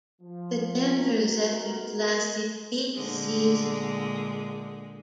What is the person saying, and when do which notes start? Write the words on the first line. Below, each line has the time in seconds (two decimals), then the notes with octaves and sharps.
The Denver Zephyrs lasted eight seasons.
0.22 F3
0.95 A3 B3 D#4 F#4 A#4
2.95 A#2 D3 G#3